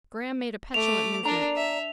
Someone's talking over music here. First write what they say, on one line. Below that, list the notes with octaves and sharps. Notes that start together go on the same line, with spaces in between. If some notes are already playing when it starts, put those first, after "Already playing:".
Graham made a petulant movement.
A3 D6 F7
D4 A#4 D5 A#5
E5